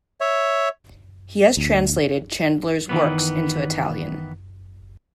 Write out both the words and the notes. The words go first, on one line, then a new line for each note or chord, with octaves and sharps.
He has translated Chandler's works into Italian.
C#5 E5
D2
D#3 E3 B3